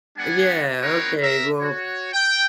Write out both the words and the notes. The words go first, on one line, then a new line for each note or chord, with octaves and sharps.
yeah, okay, well,
G3 B3 D4 F#5 G#5
C4 D#4 F#4 A#4 B4 C#5
A#4 E5 A#5
F#4 C#5
G5